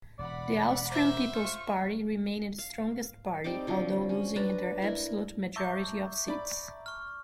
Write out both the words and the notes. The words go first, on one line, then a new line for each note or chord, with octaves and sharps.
The Austrian People's Party remained strongest party, although losing their absolute majority of seats.
E1 D5 F#5 B5
A#3 C5 E5
F4 C#6
F5
G3 C4 D#4 D6
D3 F3 F#3
C#4
D4 B4 A5 A#5
E4 A#4
E5 A5 A#5 C#6 D6 G6
D5 B5
C#6 F6